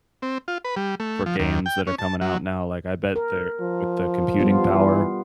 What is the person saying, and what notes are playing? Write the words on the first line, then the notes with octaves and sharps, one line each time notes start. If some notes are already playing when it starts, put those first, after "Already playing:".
for games that are coming out now, like, I bet they're with the computing power
C4
F4
B4
G3
A3
F3
D#2
G5
C#4
A5
F#3
A#4
F3
G3 B3 F4
E3